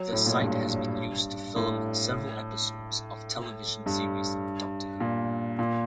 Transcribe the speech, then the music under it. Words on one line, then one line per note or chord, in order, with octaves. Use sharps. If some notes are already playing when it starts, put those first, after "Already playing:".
The site has been used to film several episodes of television series Doctor Who.
Already playing: F#3
A2
A#2
G2
A2
G2
A#2
A#2